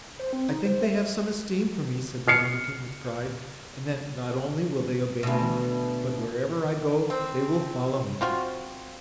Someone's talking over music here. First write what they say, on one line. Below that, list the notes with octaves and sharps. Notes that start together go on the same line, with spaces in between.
"I think they have some esteem for me," said the mendicant with pride, "and that not only will they obey me, but wherever I go they will follow me."
C5
C4
D#4
C5
E5
F6 C7 C#7
D2 B2
C4
C4 F4 F#4